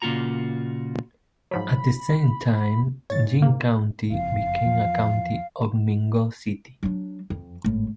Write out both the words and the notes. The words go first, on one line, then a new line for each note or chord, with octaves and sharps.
At the same time, Yin county became a county of Ningbo city.
A#2 C#3 A#3 F4 F#4 A#5
G#2 F3 F#3 B5
G#2 C#5 A6
A#3
F#1 F2 F5
E2 F3
F#3 D4
F2
G#1 A2